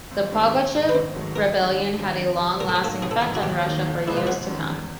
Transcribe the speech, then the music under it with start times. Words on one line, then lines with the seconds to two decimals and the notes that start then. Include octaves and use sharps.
The Pugachev rebellion had a long-lasting effect on Russia for years to come.
0.11 G#1
0.32 G2 D#3 G#3 C4
0.53 A#1
0.74 G#2 D#3
0.89 B4
0.95 G#1 C5
1.15 G#2 D#3 F#3 A3
1.36 F#1 A#4
1.57 F#2 D#3 G#3
1.78 G#2
1.98 D#3 F#3 A#3 D4
2.20 F2
2.39 C3 F3
2.60 A2 A#4
2.69 A4
2.76 G#4
2.81 F#3 A#3 D#4 A4
3.02 G#1 G#4
3.11 A4
3.22 G#2 E3 G#3 G#4
3.35 F#4
3.43 D#2 G4
3.64 D#3 F#3 A#3
3.86 B1
4.06 A#2 F3 G#3 B3 E4
4.17 F4
4.27 G#1 F#4
4.48 F#2 D#3
4.69 E2